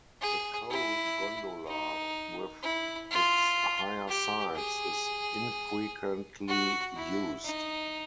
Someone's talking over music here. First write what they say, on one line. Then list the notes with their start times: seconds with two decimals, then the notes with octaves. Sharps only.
The coal gondola, with its higher sides, is infrequently used.
0.21 G#4
0.71 E4
1.67 D#4
2.63 E4
3.11 F4
4.08 G4
4.55 G#4
6.48 F#4
6.97 E4
7.45 D#4